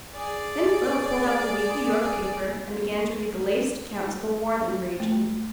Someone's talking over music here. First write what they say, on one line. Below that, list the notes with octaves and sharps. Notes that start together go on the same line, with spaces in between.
Then Philip pulled out the weekly York paper, and began to read the latest accounts of the war then raging.
G#4 D5
A3